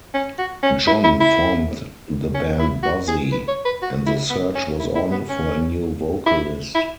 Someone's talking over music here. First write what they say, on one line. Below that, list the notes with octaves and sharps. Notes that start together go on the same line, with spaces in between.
John formed the band "Buzzie", and the search was on for a new vocalist.
C#4
F#4
C#4
E4
E4
E4
C#4
E4
F#4
G#4
B4
C#5
B4
F#4
E4
B3
C#4
E4
E4
B3
C#4
E4
E4